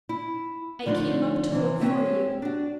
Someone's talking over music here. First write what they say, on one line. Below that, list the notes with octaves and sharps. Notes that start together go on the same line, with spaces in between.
I came up to look for you.
E4
D3 F3 A3 D4 D#4
C3 E3
C4 C#4 F#4 C#5 E5
D4 F#4